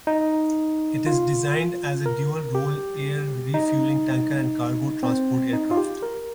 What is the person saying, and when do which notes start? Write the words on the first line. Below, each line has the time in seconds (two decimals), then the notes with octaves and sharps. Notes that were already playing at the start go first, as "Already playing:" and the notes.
It is designed as a dual-role air refueling tanker and cargo transport aircraft.
0.07 D#4
1.06 F4
2.06 A#4
2.55 G4
3.54 D#4
5.03 C4
5.53 D#4
5.71 F4
5.77 G4
6.02 A#4